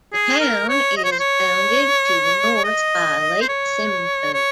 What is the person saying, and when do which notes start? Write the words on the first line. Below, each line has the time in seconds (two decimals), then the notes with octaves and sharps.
The town is bounded to the north by Lake Simcoe.
0.13 G#4
0.40 A#4
0.69 C#5
0.97 D#5
1.04 C#5
1.12 C5
1.20 C#5
2.64 D#5
3.41 C5
3.49 C#5
4.34 C#5